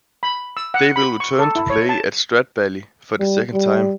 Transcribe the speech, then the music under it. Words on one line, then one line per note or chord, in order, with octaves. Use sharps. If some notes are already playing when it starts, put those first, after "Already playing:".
They will return to play at Stradbally for the second time.
B5
E6
F#5
B5
C#6
A4
E4
C#5
A5
G3
G3